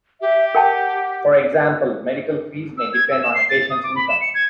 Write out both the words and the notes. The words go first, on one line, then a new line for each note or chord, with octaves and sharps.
For example, medical fees may depend on a patient's income.
G4 E5
A#4 F#5 G5 A5
E6
G#6
E6
E7
C7
A6
D#6
D6
B5
E7
C#7
G#6